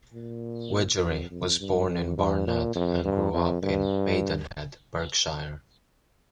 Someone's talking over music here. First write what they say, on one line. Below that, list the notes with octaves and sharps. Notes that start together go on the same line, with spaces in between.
Widgery was born in Barnet and grew up in Maidenhead, Berkshire.
A#2
F2
F2
G2
F2
G2
A#2
F2
G2
F2
G2